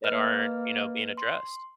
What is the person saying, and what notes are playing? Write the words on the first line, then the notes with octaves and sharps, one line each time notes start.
that aren't, you know, being addressed.
A#3 B4 D#5 F6
C6